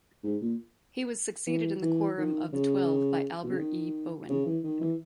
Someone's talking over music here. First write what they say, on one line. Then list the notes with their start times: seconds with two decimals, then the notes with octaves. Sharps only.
He was succeeded in the Quorum of the Twelve by Albert E. Bowen.
0.23 G#2
0.41 A#2
1.46 E3
1.82 E3
2.18 D#3
2.53 C#3
3.43 B2
3.51 C#3
3.58 D#3
4.29 C#3
4.46 E3
4.63 D#3
4.81 E3